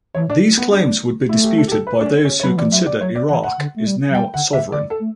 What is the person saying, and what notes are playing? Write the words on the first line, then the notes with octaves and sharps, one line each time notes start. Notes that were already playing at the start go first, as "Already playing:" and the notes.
These claims would be disputed by those who consider Iraq is now sovereign.
E3 C#5
D4
B3
D4
A3 E4
G4
A4
G4
A4
B4
D4
C#4
C#4
C#5
F#3 B4
E3 D5
F#3 E5
D5
F#3 C#5
D5
E3 F#5
F#5
D3
A3
G3
F#3
G3 G5
D3 F#5
D3 E5
D3 D5
A4
A3